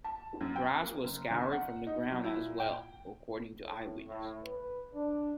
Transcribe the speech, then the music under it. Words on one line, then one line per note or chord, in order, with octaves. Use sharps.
Grass was scoured from the ground as well, according to eyewitnesses.
A5
F#2
G5
A#3
F#1
G1
F#5
D#4
F#3
E4
A#2
G5
A2
A2
B4
D4